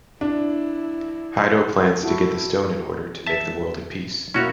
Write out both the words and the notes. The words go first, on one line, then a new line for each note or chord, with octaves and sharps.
Haido plans to get the stone in order to make the world in peace.
D4 E4
E4 F#4 A4
E5 A5
B2 A#3 C#4 E4 F#4 C#5